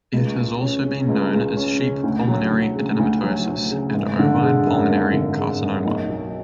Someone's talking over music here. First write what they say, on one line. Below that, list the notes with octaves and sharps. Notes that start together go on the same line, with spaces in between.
It has also been known as sheep pulmonary adenomatosis and ovine pulmonary carcinoma.
C#2
G#3
C#4
C#3
C#2
G#3
C#4
C#3
D2
F#3
D2
C#3
D2
F#3
D2
C#3
G#1
D3
G#3
F#2
G#1
D3
G#3
F#2
B1
F#3